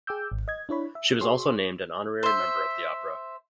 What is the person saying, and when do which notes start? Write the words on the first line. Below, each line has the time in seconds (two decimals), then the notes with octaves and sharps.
She was also named an honorary member of the opera.
0.07 G#4 G5 D6 E6 G6
0.32 G#1
0.48 D#5 G#6
0.69 D4 E4 C#5 B5
0.95 E5
1.21 F#4 G#4 C#5 C6
2.23 C5 E5